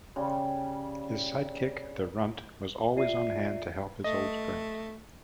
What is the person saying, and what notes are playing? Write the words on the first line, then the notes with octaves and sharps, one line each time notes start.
His sidekick, the Runt, was always on hand to help his old friend.
C#3 G3
F4 D5 E5 C7 D#7
A3 D#5